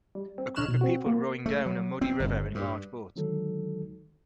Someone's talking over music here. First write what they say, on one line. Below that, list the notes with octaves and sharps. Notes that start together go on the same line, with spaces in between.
A group of people rowing down a muddy river in large boats.
G3
C4
A#1 D#4 C#5 F6 F#6 E7
B2
C4 F#4
A#3
A3
F#3
C4
G1
G2
D3 D#3 F#3 G#3 D#4 A4